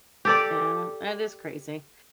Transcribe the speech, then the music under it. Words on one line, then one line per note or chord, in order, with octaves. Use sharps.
Yeah, that is crazy.
G4 A4 D5